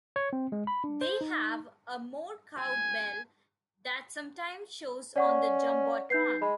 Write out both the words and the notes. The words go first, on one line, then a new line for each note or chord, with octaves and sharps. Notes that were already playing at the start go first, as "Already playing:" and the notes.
They have a "more cowbell" that sometimes shows on the jumbotron.
C#5
C4
G#3
B5
D4
C5
D#4
G#5
C#4 D5 F#5 C#6
B3 D#4 G6 C7
G#3 B5